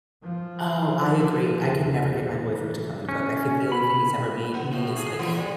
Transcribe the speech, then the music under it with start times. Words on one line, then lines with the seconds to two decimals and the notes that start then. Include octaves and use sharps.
Oh, I agree. I could never get my boyfriend to come and cook. I think the only thing he's ever made me is, like,
0.22 F3
1.65 E2
2.52 E3
3.09 C#4
3.72 B5
4.54 B3
4.73 A2
4.96 G#4
5.19 E3
5.38 G3